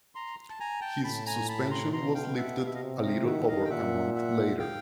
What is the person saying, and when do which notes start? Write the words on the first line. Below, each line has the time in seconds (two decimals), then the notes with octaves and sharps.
His suspension was lifted a little over a month later.
0.15 A#5 C6
0.50 A5
0.60 G#5 A#5
0.81 G5 A5
1.04 A2 A5 B5
1.26 G#5 A#5
1.48 A5 B5
1.70 A#5 C6
1.93 B2 A#5 C6
2.15 F5 G5
2.37 E5 F#5
2.60 F5
2.66 E5
2.75 D#5 F5
2.82 C3
3.04 D#5 F5
3.26 D#3 E5 F#5
3.48 D#5 F5
3.65 G5
3.70 A#2 E5 F#5
4.15 E5 F#5
4.59 F5 G5